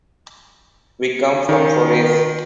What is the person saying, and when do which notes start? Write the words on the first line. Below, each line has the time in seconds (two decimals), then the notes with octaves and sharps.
We come from Forès.
1.49 D#3